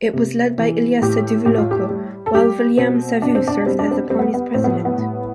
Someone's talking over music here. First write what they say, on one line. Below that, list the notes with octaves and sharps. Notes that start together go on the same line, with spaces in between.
It was led by Iliesa Duvuloco, while Viliame Savu served as the party's President.
C3
E3
A2 G4
A2 G4
F4
G4
G3
A4
G3 G4
B2 C4
B2 D4
C4
D4
G3 C4
D4
C4
G3 C4
B3
B3
A2 C4
B3
B3
A2